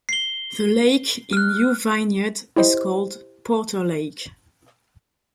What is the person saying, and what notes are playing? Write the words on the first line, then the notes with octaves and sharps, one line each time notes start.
The Lake in New Vineyard is called Porter Lake.
C7 G7
F6 F#6
E4 G4 C5 D#5